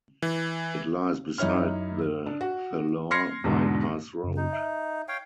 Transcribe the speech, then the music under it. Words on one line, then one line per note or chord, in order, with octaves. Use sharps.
It lies beside the Thalore bypass road.
E3
F#2 D#4 E4 C#5 F6
D4
F#4
C6 F6 G#6 A#6 C7 C#7
E2 G#2 B2 D3
F#2 C#3
D#4
E5
C#5 F5 G5